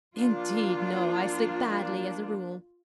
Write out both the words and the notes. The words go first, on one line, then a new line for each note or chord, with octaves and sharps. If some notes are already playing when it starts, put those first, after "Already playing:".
"Indeed no, I sleep badly, as a rule."
F3 A#3 D4 F4